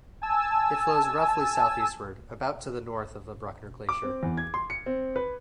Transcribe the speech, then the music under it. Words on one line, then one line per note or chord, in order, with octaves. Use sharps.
It flows roughly southeastward about to the north of the Bruckner Glacier.
G#5 A5 E6
D6
C4
E2
G#6
C6
C#7
C4
B4